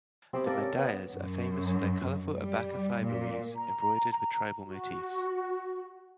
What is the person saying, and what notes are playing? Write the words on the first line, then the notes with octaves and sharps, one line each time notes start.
The "Mandayas" are famous for their colorful abaca fiber weaves embroidered with tribal motifs.
B1 C3 C4 G4
A#3 A4 A#4 D5
C#4
C#3 B3
F#2
G3
A#2
A#5
F#4